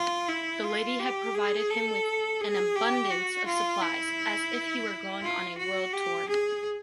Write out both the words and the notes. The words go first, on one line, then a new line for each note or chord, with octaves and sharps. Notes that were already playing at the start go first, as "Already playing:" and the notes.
The lady had provided him with an abundance of supplies, as if he were going on a world tour.
Already playing: F4
E4
F4
G4
G#4
A4
G#4
G4
F#4
F4
E4
F4
F#4
G4
G#4